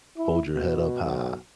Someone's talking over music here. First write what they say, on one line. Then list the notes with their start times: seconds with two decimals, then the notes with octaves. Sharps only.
Hold your head up high.
0.17 E4
0.55 B2
1.03 B1